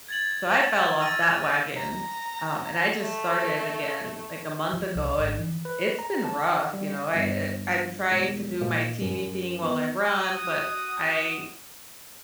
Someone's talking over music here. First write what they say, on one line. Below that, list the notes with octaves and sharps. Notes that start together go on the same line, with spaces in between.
so I fell off that wagon, um, and I just started again, like, a month ago, and it's been rough, you know? I eh, I'm trying to do my TV thing while I run, but I
G#6 A6 F#7
E6 F6 A6 A#6 D#7
A#5
A3
F3
C2
G#1
E3
B4
A#5
A5
G3
G1
E1
A#2
F#2
B3
F#4 D#6